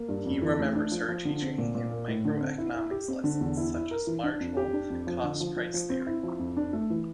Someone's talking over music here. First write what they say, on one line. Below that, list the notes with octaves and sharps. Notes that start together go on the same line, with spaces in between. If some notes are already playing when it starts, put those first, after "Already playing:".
He remembers her teaching him micro-economics lessons, such as marginal cost price theory.
Already playing: A#3
G2
F2
E3
A3
D4
F3
F3
D3
C4
A#2
A#2
A#3
A2
D3
C4
E4
E4
G4
C4
D3
E2
E4
E4
A#4
E3
D4
F2
G4
D4
F2
F3
D3
F3
F3
F3
C4
E4
F3
F2
D4
A3
E3